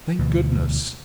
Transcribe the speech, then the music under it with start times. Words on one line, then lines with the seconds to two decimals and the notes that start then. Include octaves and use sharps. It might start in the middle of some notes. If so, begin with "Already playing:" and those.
Thank goodness!
0.19 D2 B2 E3